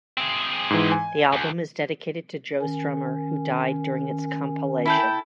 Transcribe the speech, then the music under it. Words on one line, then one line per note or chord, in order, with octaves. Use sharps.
The album is dedicated to Joe Strummer, who died during its compilation.
C4 G#4
G#2 E3
G#5
D2
D#3 C#4
E4 A4 G5